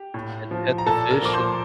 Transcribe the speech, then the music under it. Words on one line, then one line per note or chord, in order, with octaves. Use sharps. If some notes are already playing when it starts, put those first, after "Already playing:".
and pet the fish and
Already playing: G4
A2
F3
A#5
A#2 A4 A5
A#4 A#5
F3 D6
C5 C6